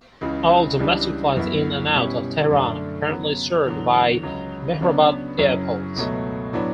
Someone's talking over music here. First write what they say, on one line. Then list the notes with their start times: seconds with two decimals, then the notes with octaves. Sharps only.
All domestic flights in and out of Tehran are currently served by Mehrabad Airport.
0.21 C#2 C#3 E3
0.79 C#2 C#3 E3 G3 D4
1.36 F#2 E3 B3 E4
1.94 B2 G3 C#4 E4
2.51 F#2 D3 A3 D4
3.09 C#3 F#3 B3
3.66 E2 D3 F#3
4.23 C#2 C#3 F#3
4.81 C#3 F#3 B3 D4
5.38 F#2 C#3 F#3 C#4 E4
5.96 C#2 B2 F#3 A3
6.53 A2 F#3 B3 D4